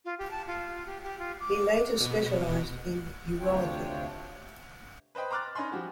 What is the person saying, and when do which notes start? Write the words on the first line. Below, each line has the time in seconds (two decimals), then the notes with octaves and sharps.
He later specialised in urology.
0.05 F4
0.18 G4
0.31 A5
0.47 F4
0.86 G4
1.03 G4
1.19 F4
1.40 D6
2.01 B2
3.40 D2 C3 D4 F4 C#5 G5
5.15 B4 C5 D#5 G5 B5
5.31 A#5 C6 D6 F6 F#6 A6
5.55 C#4 D#4 G#5 B5 C6
5.72 F3 F#4 G4